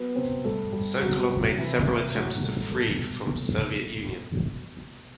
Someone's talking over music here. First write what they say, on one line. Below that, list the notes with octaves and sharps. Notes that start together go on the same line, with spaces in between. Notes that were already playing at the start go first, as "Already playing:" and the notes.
Sokolov made several attempts to flee from Soviet Union.
Already playing: F#3 B3 B4
C3 C4 C5
G3 A3 A4
G3
C3 F#3 F#4
C3
C3 E3 E4
C3
A2 F#3 F#4
G3 A3 A4
B2 A3 A4